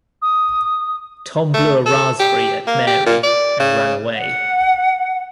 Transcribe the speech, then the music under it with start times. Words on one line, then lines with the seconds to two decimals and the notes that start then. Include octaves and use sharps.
Tom blew a raspberry at Mary and ran away.
0.22 D#6
1.54 A3
1.86 A4
2.20 G4
2.67 A#3
2.87 G4
3.06 A#2
3.23 D5
3.60 C#3
4.15 F#5